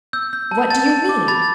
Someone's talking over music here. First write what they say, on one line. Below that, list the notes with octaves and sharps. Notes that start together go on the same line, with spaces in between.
"What do you mean?"
E6 G6
G6
A5
A5 A6
A5
D6
B5 A6